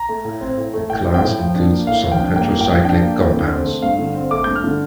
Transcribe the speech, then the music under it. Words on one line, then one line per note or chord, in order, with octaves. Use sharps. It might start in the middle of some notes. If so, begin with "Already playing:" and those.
The class includes some heterocyclic compounds.
Already playing: A#5
A3
A2
C4
A2
A3
A2 G5
C4
G5
A2
F3
D4
A#3
A2 F5
F3
G5
D4
A#3 G5
A2
G5
F3
D4 G5
A#3
A2
D3
C4
A3
G2 F5
D3
C4
A3 D6
G2 G6
F6
D3